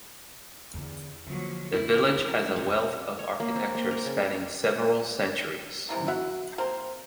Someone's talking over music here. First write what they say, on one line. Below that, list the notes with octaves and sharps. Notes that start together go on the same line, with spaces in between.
The village has a wealth of architecture spanning several centuries.
E2 D3
D3 F3 F#3 A#3
D2 E4
F3 A#4
F2 C3
C#5
A#3
C4
A#3
A#4
C#3
C3 E3 A#3
F#4 E5 F#5
A#3 C4 A#4 C5